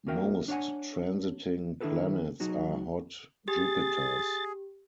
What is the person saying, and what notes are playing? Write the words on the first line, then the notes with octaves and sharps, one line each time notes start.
Most transiting planets are hot Jupiters.
A#3 C#4 F#4 A#4 E5 G5
D4 C#5 D5 F#5 G#5
D#3 D4 E4 G4 A4 B4
F#3 D#4 F#4 G#4
G4 G#4 A6